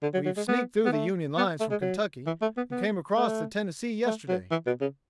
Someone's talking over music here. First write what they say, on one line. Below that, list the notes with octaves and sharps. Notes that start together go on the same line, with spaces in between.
We've sneaked through the Union lines from Kentucky, and came across the Tennessee yesterday.
D3
F#3
F#3
G#3
B3
B3
A3
B3
A3
G#3
F#3
E3
A3
B3
B3
A3
A3
F#3
E3
B2
C#3